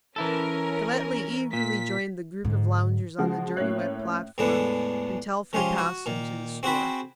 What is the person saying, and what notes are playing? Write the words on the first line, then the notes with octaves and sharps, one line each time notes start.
Galletly eagerly joined the group of loungers on the dirty wet platform, and Telford passed into the store.
E3 C#4 E4 A4 A#4
A#2 B6
G#2 D3
C#3 F3 G#3 F#4
A2 A#3 C#4 C#5 F#6 C7
E2 A2 D3 G#3 B3 D4
F3 G#3 C#4 F4 G4
F#4
A#2 D#3
C4 F#4 G#4 C5 G5 B5